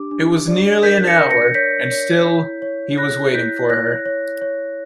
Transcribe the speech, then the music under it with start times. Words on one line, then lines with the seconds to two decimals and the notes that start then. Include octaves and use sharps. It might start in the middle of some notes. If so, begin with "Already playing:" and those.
It was nearly an hour, and still he was waiting for her.
Already playing: D4 G4 D6
0.11 D4
0.48 D5
0.83 A#4 G6 B6
1.07 A#6 C#7
1.19 A#4
1.30 A#6 C#7
1.54 C#5 G6 B6
1.91 C#5
2.27 E4
2.62 C#5
2.98 C#5 F#6 A#6
3.34 E4 G6 B6
3.69 C#5 F#6 A#6
4.06 C#5
4.42 C#5